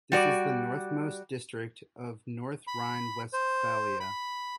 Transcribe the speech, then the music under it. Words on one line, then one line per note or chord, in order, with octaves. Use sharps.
This is the northernmost district of North Rhine-Westphalia.
G3 F#4 D5
B5
C5
B5